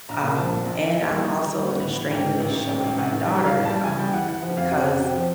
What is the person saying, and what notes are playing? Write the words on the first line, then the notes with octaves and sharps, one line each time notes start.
Um, and I'm also in a strained relationship with my daughter, um, because
A#1 A#5
A#2
F3 A5
A#1
A#1
A#1
E3 G#5
G3
E3
G3
G3
B3
A2
E3
G#2 G5
D#3
A1
A1
G#2 G5
A1
A1 F#5
D#3
G3
G3 F5
A2
A5
G3
E3 G#5
G3 G5
E3 F#5
E3 F#5
F3 F#5
F2 F5
C3 F#5
F2 F#5
C3 G5
F3